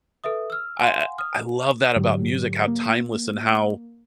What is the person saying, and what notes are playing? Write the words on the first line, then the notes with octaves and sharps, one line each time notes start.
I I I love that about music, how timeless and how
A4 B4 E5 D#6
E6 F6
F5 F#5 G#5 C6
D#6 F6
G#2 D3 F#3 G4
A#3